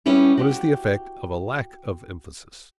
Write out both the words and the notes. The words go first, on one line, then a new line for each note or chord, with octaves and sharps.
What is the effect of a lack of emphasis?
G3 B3 C#4 E4 G4
F#4 G4